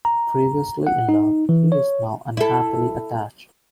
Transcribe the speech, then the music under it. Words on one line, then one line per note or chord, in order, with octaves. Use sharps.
Previously in love, he is now unhappily attached.
A#5
F#5
D#4
E3
C#5
E4 A4